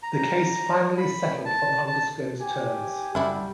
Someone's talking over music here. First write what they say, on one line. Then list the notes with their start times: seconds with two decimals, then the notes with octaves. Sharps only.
The case finally settled on undisclosed terms.
0.03 A#5
0.97 B5
1.45 A5
1.87 A5
2.41 G4 G#5
3.15 F#1 G3 D4 E4 F#4